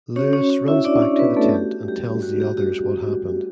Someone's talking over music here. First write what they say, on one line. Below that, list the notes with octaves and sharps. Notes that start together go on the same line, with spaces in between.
Lewis runs back to the tent and tells the others what happened.
C#4 F#4 C#5
C#4 C#5
C#4 F#4 C#5
E4 E5
D4 F#4 D5
C#4 C#5
B3 F#4 B4
A3 A4
F#4 G4
G3 G4
F#4
G4
F#4 G4